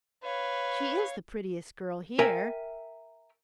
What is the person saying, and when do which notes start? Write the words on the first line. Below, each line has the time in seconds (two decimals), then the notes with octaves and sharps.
"She is the prettiest girl here."
0.23 B4 C#5 F5
2.19 A#4 E5 G5 G#5